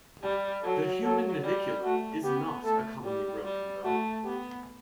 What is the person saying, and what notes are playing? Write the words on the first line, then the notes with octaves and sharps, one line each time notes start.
The human navicular is not a commonly broken bone.
G3 G4
F#3 A4
F#3 A4
G3 G4
A3 F#4
B3 G4
A3 A4
G3 G4
G3
A3 F#4
B3 G4